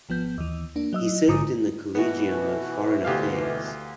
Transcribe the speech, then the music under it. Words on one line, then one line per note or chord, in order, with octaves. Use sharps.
He served in the Collegium of Foreign Affairs.
G#1 F3 B3 G6
D#2 E3
A#3 D4
F#3 D#5 E6
A1 G#2 D3 A#5 D#6
B2 E3 B3 F#4
D2 G4 F5